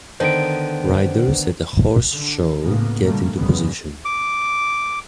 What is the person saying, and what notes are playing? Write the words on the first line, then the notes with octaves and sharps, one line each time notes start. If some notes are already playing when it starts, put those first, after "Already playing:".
Riders at a horse show get into position.
D3 D#3 B3 C5 D7
D3
A1 D2 A2 C#3 A#3 B3
B2 D3 G3 A3 A#3
C#2 F#2 A#2 C#3 G3 B3
D6